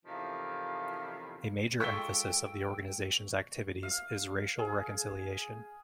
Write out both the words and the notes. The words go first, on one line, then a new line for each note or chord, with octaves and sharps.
A major emphasis of the organization's activities is racial reconciliation.
E2 A2 C3 D#3 F3 F5
G#3 F4 A4 G5 C#6 E6 B6 G7
F5
G#4